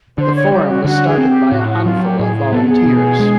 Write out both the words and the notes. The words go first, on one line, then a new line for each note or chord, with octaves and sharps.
The forum was started by a handful of volunteers.
D3 C5
C#5
G3 G4
F#4
D3 F#4
G#4
C4
G4
A2 F#4
F#4
F#3 F4
F#4
G4
A2 G#4
G#4
B3 A4
G#4
B2
G#3